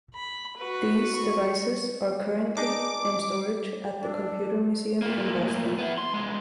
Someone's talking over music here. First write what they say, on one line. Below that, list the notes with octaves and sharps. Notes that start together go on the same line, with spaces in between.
These devices are currently in storage at the Computer Museum in Boston.
B5
F#4 B4
C#6
D4 D#4 G#4 D6
D4 A4
A2 A#3
B3 E4
C6
C2 G#3